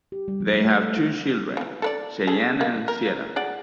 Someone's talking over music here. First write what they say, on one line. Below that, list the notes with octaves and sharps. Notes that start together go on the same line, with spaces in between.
They have two children Shayne and Sienna.
G4
G3
F3
A3
A3
C4
E4
C#3 E3
A4 B4 D5
G#4 A4
A#3
A#4
G#4 D5 F#5